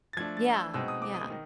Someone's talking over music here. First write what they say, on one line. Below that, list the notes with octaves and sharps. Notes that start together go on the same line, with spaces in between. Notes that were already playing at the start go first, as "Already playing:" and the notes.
Yeah, yeah.
A6
F3 A3 D4 G#6
A6
E6
B2 G#3 C4 D#4 E6
D#6
D6
D#6
D#3